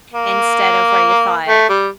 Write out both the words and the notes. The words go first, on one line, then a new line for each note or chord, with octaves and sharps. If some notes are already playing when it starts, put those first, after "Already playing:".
instead of where you thought
A#3
A3
G3